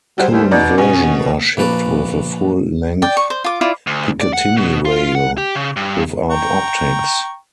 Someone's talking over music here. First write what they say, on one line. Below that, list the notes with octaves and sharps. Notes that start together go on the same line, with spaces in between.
Current version are shipped with a full length Picatinny rail, without optics.
F#3 G3 C5
D#2
B2 D#4 D5
B2 C#4
A#1 A#2 B4 A5 D6
D5 G5
C#6
C5
F4 D6
E4 F4 D5
D2
D5
F#5
B2
F4
F#5
G4
C#3
G2
G5 A#5 C#6